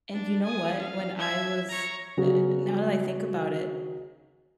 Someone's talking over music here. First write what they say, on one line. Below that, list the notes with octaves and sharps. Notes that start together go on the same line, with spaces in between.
and you know what? When I was uh uh uh, now that I think about it,
D4
G#5 D#6
F5
E5 G#6
C#5 A#5
C#3 F#3 B3 C#4 F#4 G#4